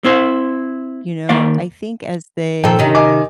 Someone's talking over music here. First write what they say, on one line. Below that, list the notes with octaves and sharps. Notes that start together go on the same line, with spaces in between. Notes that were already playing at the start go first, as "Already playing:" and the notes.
you know? I think as they
C4 E4 C5
D#3 A#3 D5 F5
A#2 F3 A4 G5
C3 D#3 C#4
D#5 G#5 D6